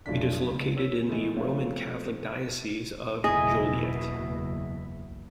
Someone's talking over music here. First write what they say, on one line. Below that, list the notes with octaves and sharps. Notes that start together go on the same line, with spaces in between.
It is located in the Roman Catholic Diocese of Joliet.
F1 B1 A3 D4 F4 B6
C#2
C#5 E6 B6
E3 G#3 A3 B3
F3 A3 C4 C#5 E5 F5
F#1 E2 B2 E4 G#4 D#5